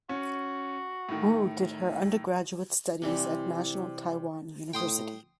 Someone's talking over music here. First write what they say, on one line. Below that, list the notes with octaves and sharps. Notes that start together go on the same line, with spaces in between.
Wu did her undergraduate studies at National Taiwan University.
C#4 F#4
A2 D#3
C3 E3 G3 C4
A2 G5 C6 D#6